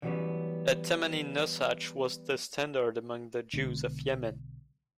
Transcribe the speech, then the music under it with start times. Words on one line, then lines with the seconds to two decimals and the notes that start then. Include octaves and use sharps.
A "Temani" nosach was the standard among the Jews of Yemen.
0.02 D3 E3 F#3 G3 B3 C#4
3.53 B1 D3 G#3 D4